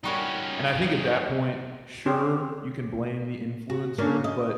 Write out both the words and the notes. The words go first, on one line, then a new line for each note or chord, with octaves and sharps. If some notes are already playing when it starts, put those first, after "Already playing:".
And I think at that point, sure, you can blame the influencer, but,
G3 C#4 D#4 F#4 A#4
C4 C#4 G4 C5
F#4
A#3 C#4 D4
D#5